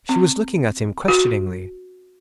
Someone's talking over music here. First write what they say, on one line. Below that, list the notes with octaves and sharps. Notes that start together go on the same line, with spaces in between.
She was looking at him questioningly.
C4
F#4